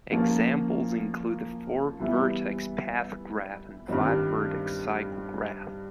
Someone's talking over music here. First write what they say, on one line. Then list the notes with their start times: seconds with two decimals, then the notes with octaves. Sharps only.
Examples include the four-vertex path graph and five-vertex cycle graph.
0.11 F3 A#3 C#4 F4
2.00 E3 G3 B3 E4
3.88 G2 D#3 G3 C4